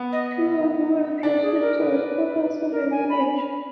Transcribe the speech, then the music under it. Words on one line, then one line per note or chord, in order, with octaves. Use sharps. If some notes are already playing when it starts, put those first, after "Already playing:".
Two old women proceed to a spot outside the village.
Already playing: B3
D#5
D4 D5
G#4
A#4
B4
A#4
G#5
B5